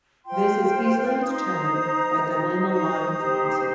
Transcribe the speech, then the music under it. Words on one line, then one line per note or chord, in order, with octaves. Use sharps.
This is easily determined by doubling the line frequency.
F4 C5 G5 C6
D#4 C5 D#6
C6
A#5 D#6
D#4 C5
A#5 D#6
D#4 G4 C5